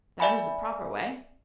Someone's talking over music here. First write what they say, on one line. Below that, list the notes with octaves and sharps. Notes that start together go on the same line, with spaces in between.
"That is the proper way."
D5 E5 G#5 B5